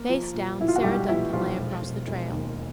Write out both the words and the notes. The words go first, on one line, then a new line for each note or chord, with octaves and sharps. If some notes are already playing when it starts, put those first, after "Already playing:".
Face down, Sarah Duncan lay across the trail.
Already playing: A#3
F3
A#2
B1 E4
F4
F#4
B1 G3 G4
A#2 E3 E4
B1 F3 F4
E1
E1
E1
D#2